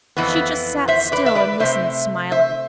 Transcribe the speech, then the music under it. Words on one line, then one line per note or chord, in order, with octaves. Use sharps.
She just sat still and listened, smiling.
F2 E3 B3
C5 E5
B4 D5
E5
B4 D5
C3 F3 A3 C5 E5
C5 E5